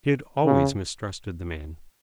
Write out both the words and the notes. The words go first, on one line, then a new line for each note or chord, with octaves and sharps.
She had always mistrusted the man.
C#3